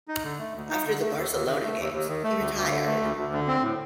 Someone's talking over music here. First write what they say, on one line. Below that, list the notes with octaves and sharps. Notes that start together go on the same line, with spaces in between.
After the Barcelona games he retired.
D#4
D3
A3
D2
D#4
D3
A3
D#2
D#2
D#3
A3
D#2
D#2
D#3
A3
D2
D2
D3
A3
D2
D2
D3
C4
A2